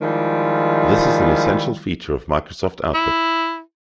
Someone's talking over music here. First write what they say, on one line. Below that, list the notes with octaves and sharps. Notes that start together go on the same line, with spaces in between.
This is an essential feature of Microsoft Outlook.
D#3 F3 G3 G#3 E4 F4
E4